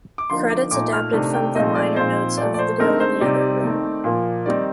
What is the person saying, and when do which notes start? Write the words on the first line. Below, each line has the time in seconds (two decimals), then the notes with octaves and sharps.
Credits adapted from the liner notes of "The Girl in the Other Room".
0.18 D6
0.30 D3 F3 A#3 D#4 C6
0.50 D6
0.71 A#2 A3 D#4 D6
0.93 F6
1.13 C3 D#3 A3 D4
1.34 G5
1.55 A#2 F3 A3 C4 D#4 D#5
1.75 D5
1.96 A#2 F3 C4 D#4 C5
2.38 A#2 F3 A3 D5
2.54 D5
2.59 C5
2.79 D3 A3 C4 D#4 A#4
3.00 C5
3.21 C3 G3 C4 D#4 D5
3.63 D#3 A3 C4 D#4
4.04 A#2 F3 A#3
4.46 D#3 G3 C4 D#4 D5